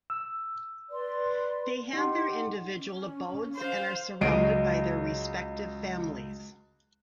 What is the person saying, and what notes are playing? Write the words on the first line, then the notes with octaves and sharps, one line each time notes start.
They have their individual abodes and are surrounded by their respective families.
E6
B4 D5 C6
D#4 G4 F#5 C6
C#4
C5 F5
C#2 F#3 D#5 C7 D7 D#7